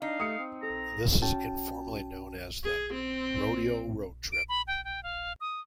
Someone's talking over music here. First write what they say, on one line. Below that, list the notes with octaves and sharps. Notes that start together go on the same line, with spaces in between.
This is informally known as the "Rodeo Road Trip".
D4 D#4 F5
A3 D#6 C#7
C4
A4 A#5
C#4 F#4 G5 A5
G#4
C4
D7
B5
G5
G5
F5
D#6